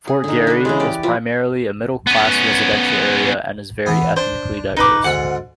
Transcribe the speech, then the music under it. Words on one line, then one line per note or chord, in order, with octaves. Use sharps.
Fort Garry is primarily a middle class residential area and is very ethnically diverse.
G#4
D3 D#4
D4 B4
C#3 E3 G#3
G4 D5
F3 B4
B3 C#4
E3 B3
D4 C5
D#4 B4 D6
D2 G#2 F#5